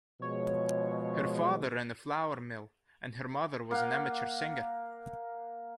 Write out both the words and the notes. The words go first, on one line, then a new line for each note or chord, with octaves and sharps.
Her father ran a flour mill and her mother was an amateur singer.
B2 F3 G#3 C#5
A#3 F5 F#5